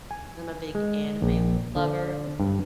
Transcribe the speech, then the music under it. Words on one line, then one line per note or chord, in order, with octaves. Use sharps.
'cause I'm a big anime lover,
G#5
G#3
A#1
D3
G2